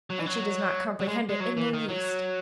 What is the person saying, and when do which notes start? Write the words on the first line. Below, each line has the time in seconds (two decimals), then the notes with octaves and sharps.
"And she does not comprehend it in the least."
0.10 F#3
0.19 E3
0.26 F#3
1.00 F#3
1.08 G#3
1.29 G#3
1.40 F#3
1.57 E3
1.73 D#3
1.89 F#3